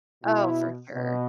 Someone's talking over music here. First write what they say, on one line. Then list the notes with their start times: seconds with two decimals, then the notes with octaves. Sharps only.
Oh, for sure.
0.23 B2 E4
0.94 B2